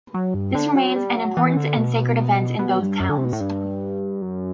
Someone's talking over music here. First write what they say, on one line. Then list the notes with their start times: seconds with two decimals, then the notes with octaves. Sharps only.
This remains an important and sacred event in both towns.
0.14 F#3
0.34 G2
0.55 D3
0.76 F#3
0.96 G3
1.17 F#3
1.37 E3
1.57 D3
1.77 B2
2.59 B2
2.80 G2
3.00 F#2
3.09 D3
3.18 C3
3.25 B2
3.33 A2
3.40 G2
4.22 F#2